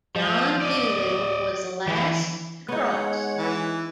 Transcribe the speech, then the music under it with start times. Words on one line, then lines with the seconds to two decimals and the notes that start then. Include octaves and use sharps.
John Dolittle was the last to cross.
0.16 F3
0.61 D5 D#5
1.87 E3
2.68 G#3 B3 D#4 C#5 F#5
3.37 E3